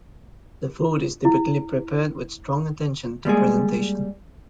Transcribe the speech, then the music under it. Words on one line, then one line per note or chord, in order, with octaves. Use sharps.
The food is typically prepared with strong attention to presentation.
E4
G3 G#3 A#3 G#4